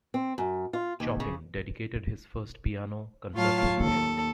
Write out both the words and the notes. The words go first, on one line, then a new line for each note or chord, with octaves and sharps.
Chopin dedicated his first piano concerto to him.
C4
F#2
F4
D#2
C#3
A2 F#3 F4 C#5 F5 A5
D#2 A4